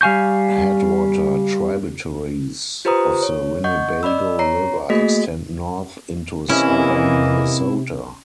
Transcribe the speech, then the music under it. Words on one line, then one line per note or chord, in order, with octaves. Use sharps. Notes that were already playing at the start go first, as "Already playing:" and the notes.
Headwater tributaries of the Winnebago River extend north into southern Minnesota.
G3 F5 G#5 C#6 G6
F4 G4 B4 C5 A#5 D#6
C#5
D#5 F#5 C#6 G6
D5 D#5 B5 E6
C#5 A#5 C7
A3 A#3 F#4 G#4 D#5 B6
C3 E3 A#3 C#4 E4 D#5